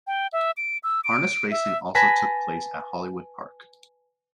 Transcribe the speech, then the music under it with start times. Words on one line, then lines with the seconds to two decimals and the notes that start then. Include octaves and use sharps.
Harness Racing also took place at Hollywood Park.
0.07 G5
0.33 E5
0.57 D7
0.83 E6
1.04 D7
1.51 E5
1.95 B4 G#5 A5 A#6 B6